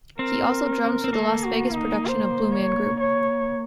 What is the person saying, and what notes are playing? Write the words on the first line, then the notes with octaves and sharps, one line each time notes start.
He also drums for the Las Vegas production of Blue Man Group.
C4 A#4
C4
A#3 A4
F#4
D#4
C5
C#5
C#5